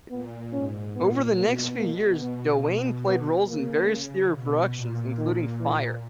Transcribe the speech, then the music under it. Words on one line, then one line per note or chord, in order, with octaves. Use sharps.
Over the next few years Doane played roles in various theatre productions, including Fire!
A#2 B3
G#2 C#4
A#2 B3
B2 A#3
A#3
B3
B3
C#3 A#3
B2
A#2
D#3
E3